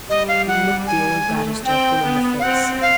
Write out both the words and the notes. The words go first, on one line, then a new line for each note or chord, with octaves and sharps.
He looked the old barrister full in the face.
G3 D#5
F5
F#5
G#5
A3
C4 G5
B3
F5
C4 F#5
F5